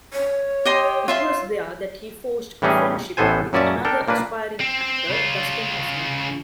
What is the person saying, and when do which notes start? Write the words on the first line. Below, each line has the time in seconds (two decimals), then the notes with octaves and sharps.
It was there that he forged a friendship with another aspiring actor, Dustin Hoffman.
0.13 C#5
0.65 G4 D#5 C6
1.08 F4 E5 C6
2.62 A2 E3 G3 C#4 D#4 G#4
3.17 A1 A2 B3 A4 C5 G#5
3.53 F#2 A#2 C#4 D5 E5 A5
3.85 D4 A4 A#4 G5
4.08 A#2 A#3 D4 B4
4.61 C4
5.10 C#3 F4